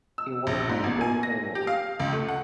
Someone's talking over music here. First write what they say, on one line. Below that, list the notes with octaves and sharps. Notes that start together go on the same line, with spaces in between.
A white man going for a walk.
E6
A#1
G#2
A1
G#5
A#6
G4
F5
C#2
A3
F#5